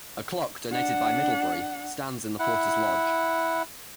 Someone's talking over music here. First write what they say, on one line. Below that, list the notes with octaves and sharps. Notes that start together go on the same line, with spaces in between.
A clock donated by Middlebury stands in the Porters' Lodge.
D4 F#5
E4 F#5